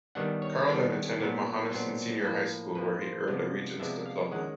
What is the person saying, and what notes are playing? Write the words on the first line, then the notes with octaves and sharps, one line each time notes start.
Carl then attended Mohonasen Senior High School where he earned a Regents diploma.
D#3 G3 B3 D4 F#5
C#5
D#3 G3 B3 D4
A#2 F#3 B3 D4
A#2 F#3 B3 D4 C5
A2 F3 A#3
A2 F3 A#3 B4
C5
C3 F3 G#3 B3 D4
C3 F3 G#3 B3 D4 E5
F5
D#3 G#3 C#4 F#5